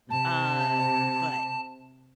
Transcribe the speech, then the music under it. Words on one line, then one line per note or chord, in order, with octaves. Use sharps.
uh, but,
C3 A5